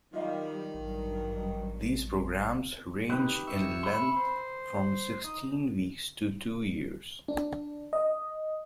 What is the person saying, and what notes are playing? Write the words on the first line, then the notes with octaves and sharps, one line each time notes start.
These programs range in length from sixteen weeks to two years.
D#3 F#3 G3 F4 D#5 F5
A1 G2 F#3
D#4 G4 B4
E5 C#6
B5
C5
D#4
D4
D#5